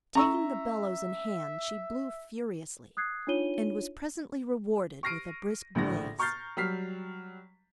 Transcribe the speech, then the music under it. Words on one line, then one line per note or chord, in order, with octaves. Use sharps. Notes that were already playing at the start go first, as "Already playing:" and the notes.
Taking the bellows in hand she blew furiously, and was presently rewarded with a brisk blaze.
C#4 E4 E5 A#5 C#6 E6
D#6 F#6 G#6 C7
D4 D#4 F4 C#5 D#7 G7
C#6 F6 A#6 C7 D7 D#7
A#1 A2 D3 A#6
A#5 C#6 F6 G6 A6 C7
F#3 G3 F6 B6 C7